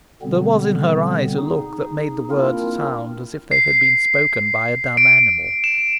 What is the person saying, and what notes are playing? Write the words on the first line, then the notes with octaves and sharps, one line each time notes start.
There was in her eyes a look that made the words sound as if they had been spoken by a dumb animal.
B2 D3 G3 B3 C4
D#4 G#4
A#3 C4 D4 E4 F4 A#4
C7
D7
E7